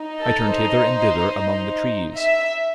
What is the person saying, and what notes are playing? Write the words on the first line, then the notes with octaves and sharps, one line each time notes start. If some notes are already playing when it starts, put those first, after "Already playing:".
I turned hither and thither among the trees.
Already playing: D#4
A4
C5
E5